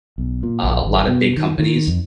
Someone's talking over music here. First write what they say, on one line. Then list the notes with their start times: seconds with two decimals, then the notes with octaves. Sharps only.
uh, a lotta big companies,
0.18 B1
0.43 A#2
0.63 A#1
0.85 G#1
1.07 B2
1.37 D#3
1.58 D#3
1.87 F2